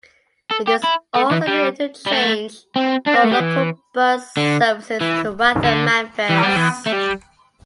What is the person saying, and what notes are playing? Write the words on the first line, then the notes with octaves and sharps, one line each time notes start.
It is also an interchange for local bus services to Wath and Manvers.
A4
G4
E4
A3
E3
G3
G3
A3
C4
D4
C4
A3
G3
E3
D3
E3
D3
E3
G3
E3
A3
G3